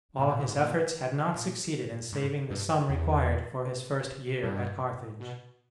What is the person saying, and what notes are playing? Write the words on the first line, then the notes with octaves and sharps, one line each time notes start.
All his efforts had not succeeded in saving the sum required for his first year at Carthage.
A#2
B2
A#2
G#2
A#2
A#2
G#2
G2
E2
G2
B2